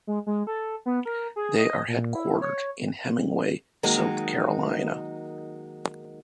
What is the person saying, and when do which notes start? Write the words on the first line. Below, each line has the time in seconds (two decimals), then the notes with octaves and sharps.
They are headquartered in Hemingway, South Carolina.
0.07 G#3
0.26 G#3
0.47 A4
0.86 B3
1.05 A#4
1.36 G#4
1.59 D#5
1.88 A#2
2.15 E4
2.42 C#5
3.83 D#3 F#3 G#3 A#3 D#4